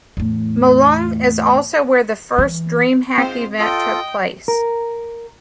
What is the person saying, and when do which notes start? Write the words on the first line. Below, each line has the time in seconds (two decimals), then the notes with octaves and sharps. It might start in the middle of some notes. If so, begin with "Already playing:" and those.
Malung is also where the first DreamHack event took place.
0.17 E2 A2
2.38 E3
3.18 G#2 C4 F4 C5
3.59 F4 A4 D#5 G5
4.48 A#4